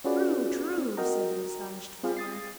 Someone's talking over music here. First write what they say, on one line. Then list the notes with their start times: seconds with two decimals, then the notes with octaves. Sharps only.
"True, true!" said the astonished farmer.
0.04 C#4 F4 F#4 G#4 B4 D5
0.78 C4
0.97 F#4 A#4 D#5 G5 A#5
2.03 C4 F4 G#4
2.17 D#6 A6 C7